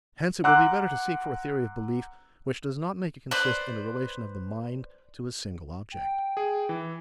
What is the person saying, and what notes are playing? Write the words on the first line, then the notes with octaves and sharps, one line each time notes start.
Hence it will be better to seek for a theory of belief which does not make it consist in a relation of the mind to a single object.
F#5 A#5 C6 D6 E6 F#6
B4 C5 D5
G5
G#4
E3